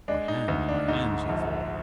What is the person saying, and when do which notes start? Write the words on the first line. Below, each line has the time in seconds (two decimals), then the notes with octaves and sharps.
"My hands, my hands," he thought.
0.08 G#3 D4
0.28 D#4
0.48 D2 D#4
0.69 D4
0.88 G#2 D#4
1.29 A#1